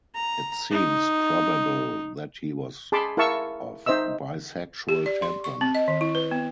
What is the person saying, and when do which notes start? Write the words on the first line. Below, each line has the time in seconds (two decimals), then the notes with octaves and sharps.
It seems probable that he was of bisexual temperament.
0.14 A#5
0.71 D#4
2.92 G#4 A5 B5 C6 D6
3.17 E4 A#4 F5 A5 C#6 E6
3.86 D#4 C5 D#5 E5 E6
4.89 G4
5.06 D5
5.22 C6
5.44 C#6
5.61 C4
5.75 D#5
5.88 D#3
6.01 E4
6.15 B4
6.31 B3